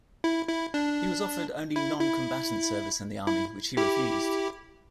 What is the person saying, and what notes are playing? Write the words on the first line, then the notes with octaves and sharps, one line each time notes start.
He was offered only non-combatant service in the army, which he refused.
E4
E4
D4
E4
E4
E4
E4 G4